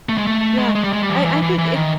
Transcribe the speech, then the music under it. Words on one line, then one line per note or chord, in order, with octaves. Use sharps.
yeah, I I think it's
A3
G#3
A3
G#3
G#3
G3
G#3
G3
E3
F3
E3
E3
E3
D#3